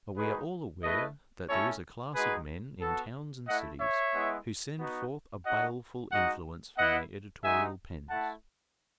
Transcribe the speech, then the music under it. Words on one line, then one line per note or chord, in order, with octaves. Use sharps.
But we are all aware that there is a class of men in towns and cities who send forth a baleful influence from their editorial pens.
G#3 D#4 F#4 G#4 B4
A3 E4 B4 D#5
A3 C#4 E4 A4 C#5
G#3 D#4 F#4 G#4 B4
B3 F#4 A4
A3 E4 D#5 F#5
C#5 E5
G#3 B3 E4
B3 D#4 F#4
A3 D#4 F#4 D#5 F#5
G#3 D#4 F#4 D#5 F#5
B3 E4 D#5 F#5
G#3 D#4 F#4 E5 G#5
A3 E4 F#5 A5